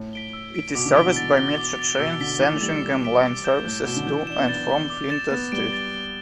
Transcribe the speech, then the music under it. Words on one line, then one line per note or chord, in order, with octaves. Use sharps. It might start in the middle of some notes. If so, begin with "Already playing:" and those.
It is serviced by Metro Trains Sandringham line services to and from Flinders Street.
Already playing: A2
B6 D7 G7
E6
B6 D7
B2 D6
D3
E3 B6 D7 G7
B2
A6
G7
D6
A6 G7
B2 E6
D3 B6 G7
E3 D6
A3
G3 A6 E7
E6
B6 D7 G7
E6
G6 E7 G7
A2 G6
B2 E7 G7
D3
E3 G6
D4 E7 G7
B3
D4 A6
G7
D6
A6 E7
B3 A6
G3 D7 G7
A6
G7